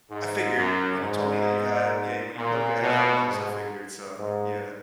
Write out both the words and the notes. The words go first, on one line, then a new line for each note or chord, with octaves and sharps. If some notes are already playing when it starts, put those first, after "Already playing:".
I figured, when you told me that you had yeah, when you told you had animals, I figured, so, yeah.
G#2
F#2
G#2
A#2
B2
G#2
G#2